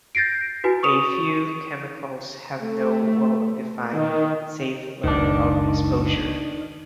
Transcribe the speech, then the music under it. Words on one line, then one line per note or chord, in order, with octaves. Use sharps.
A few chemicals have no well-defined safe level of exposure.
G6 A6 A#6 C7 D7
E4 F#4 B4 G#5
C#6 D#6 F7
A3
D#3
F#1 C#2 D#3 D4